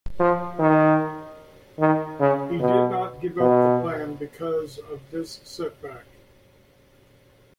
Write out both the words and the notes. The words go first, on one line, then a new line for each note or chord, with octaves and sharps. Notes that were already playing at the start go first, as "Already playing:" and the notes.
He did not give up the plan because of this setback.
F3
D#3
D#3
C#3
B2
B2